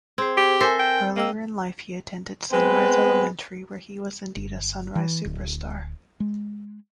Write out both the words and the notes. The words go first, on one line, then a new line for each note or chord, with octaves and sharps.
Earlier in life he attended Sunrise Elementary where he was indeed a Sunrise Superstar.
C4 G#4 C5
G4
A4 A#4 C5 E5 G#5
G5
A#3 D#5 G5 E6
G#3 B3 C4 B4
G1
E3
D1
G#3